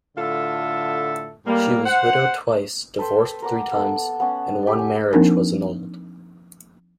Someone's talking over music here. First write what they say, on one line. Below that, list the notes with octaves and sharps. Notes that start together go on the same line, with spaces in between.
She was widowed twice, divorced three times, and one marriage was annulled.
A2 D3 F4 A4 E5
A2 G3 A#3
C5 F#5
A4 B4 G5 C6
A#4 F#5 D6
B3 A4
B3 C#4
G4 D5
G#5
F3 A#3 C4 D4 D#4 A#4